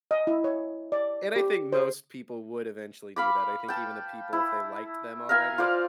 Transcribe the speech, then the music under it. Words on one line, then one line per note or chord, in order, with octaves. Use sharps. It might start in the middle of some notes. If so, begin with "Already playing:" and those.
And I think most people would eventually do that. I think even the people, if they liked them already,
D#5
E4
C#5
D5
G4
C5
F5 B5 D6
G5 A5
E4
A#4 E5 F5 G#5
F4 C5 D5